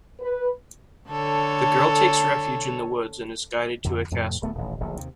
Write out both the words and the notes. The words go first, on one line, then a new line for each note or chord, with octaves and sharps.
The girl takes refuge in the woods and is guided to a castle.
B4
D3 A4 C#5
F2 D3
F2 A2 C3 F3
D1 A3 B3
D#1 A1
D1 A#1 D#2
D#2 C3